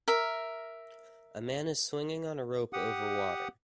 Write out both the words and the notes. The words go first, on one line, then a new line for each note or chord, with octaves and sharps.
A man is swinging on a rope over water.
A#4 E5
G4 F#5 D#6